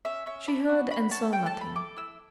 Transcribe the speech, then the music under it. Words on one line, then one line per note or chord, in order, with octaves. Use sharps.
She heard and saw nothing.
C#4 E5
C#4 E5
D4 B5
F#4
F#4 B5
C#4 A5
A4 G5
A5
A4
B5
E4 D6
E4 E6